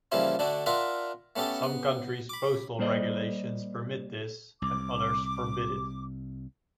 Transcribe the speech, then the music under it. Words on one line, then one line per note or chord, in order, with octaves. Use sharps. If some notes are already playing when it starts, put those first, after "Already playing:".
Some countries' postal regulations permit this and others forbid it.
C#3 E3 F3 G3 A#3 E4
D3 A3 D4 F#4
D4 F4 A#4 E5 F#5
A3 B3 C#4 G4 A4
B3
B5 D6
G3 A#3 C5 D5 D#5
C2 D6